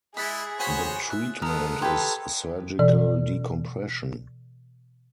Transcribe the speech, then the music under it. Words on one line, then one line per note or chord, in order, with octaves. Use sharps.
The treatment is surgical decompression.
G#3 E4 G#4 B5 D#6 F#6 A6
F#4 C5 C#5 G#5 B5
E5 F#6
G#3 B3 A4 A#4 A#5 D#6 F6
G4 A4 B4 C6 G#6
B2 E3 D5